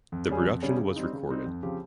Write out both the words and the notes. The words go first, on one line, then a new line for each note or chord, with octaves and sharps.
The production was recorded.
F2
C#3 G3 C#4 G#4
F2
C#3 G3 C#4 G#4
C#3
G3 C4 D#4
C#3
G3 C4 D#4
F2
C#3 F3 C4 G4